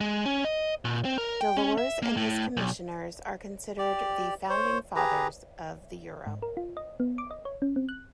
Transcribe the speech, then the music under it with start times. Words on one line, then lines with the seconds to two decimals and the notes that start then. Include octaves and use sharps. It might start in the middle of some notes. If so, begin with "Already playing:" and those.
Delors and his Commissioners are considered the "founding fathers" of the euro.
0.01 G#3
0.26 C#4
0.44 D#5
0.85 A#2
1.05 C4
1.18 A#4
1.41 G5
1.57 C#4
1.78 E5
2.02 A#3
2.17 A2
2.57 B1
3.78 G4 D5
4.50 C5 C#5
4.96 G4 G#4 B4 A#5
6.27 G#2
6.42 A#4
6.57 F4
6.77 D#5
7.00 B3
7.18 D6
7.31 D#5
7.45 C#5
7.62 C#4
7.76 C4
7.89 F#6